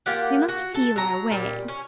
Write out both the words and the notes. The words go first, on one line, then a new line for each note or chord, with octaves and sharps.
We must feel our way.
A#3 F4 G4 F#5
F#4
A4
F#3 A#5
A#2 G3
C#4